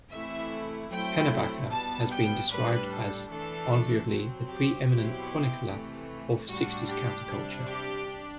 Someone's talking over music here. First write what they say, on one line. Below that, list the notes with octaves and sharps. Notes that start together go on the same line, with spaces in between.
Pennebaker has been described as "arguably the pre-eminent chronicler of sixties counterculture".
C3 E3 A3 E4 E5
F#3 A3 C4 E4 G5
B2 G3 B3 A5
G5
A2 G3 D4 B4
A4
E3 A3 D4 A4
C3 F#3 C4
G4
B2 F#3 C4 E4 G4
C3 E3 A3
A2 G3 D4 F#4
G4
C3 G3 D4
G4
D4